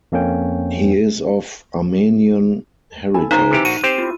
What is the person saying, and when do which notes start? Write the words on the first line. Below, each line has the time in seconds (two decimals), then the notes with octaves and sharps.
He is of Armenian heritage.
0.12 F2 A#3 C#4 G5
3.14 E4 A4 G#5
3.31 G#1 C#3 D#4 C5 F5 A#5
3.51 C3 E3 G4
3.65 A#1 F#4 D#7
3.83 C4 G4 C5
3.98 E4 F4